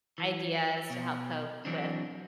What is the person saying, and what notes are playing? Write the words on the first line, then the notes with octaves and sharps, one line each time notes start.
ideas to help cope with,
E3
B2
E3 F#3 C4 D4